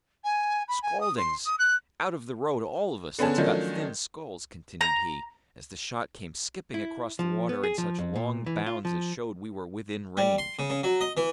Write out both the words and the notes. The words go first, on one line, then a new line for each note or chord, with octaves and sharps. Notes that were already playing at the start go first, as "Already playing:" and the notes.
"Scaldings! out of the road all of us that's got thin skulls," continued he, as the shot came skipping across the water in such long bounds as showed we were within range.
G#5
B5
G#5
D#6
C6
D#6
F#6
D3 B3 C#4 G#4 A5
D#3 F3 F#3 A3 C#4 D4
A#5
E4
F3
B3
G#4
F3
F2
A#2
E3
F4
F3
G3
C6
C#3
C#3
F#3
D#5
E3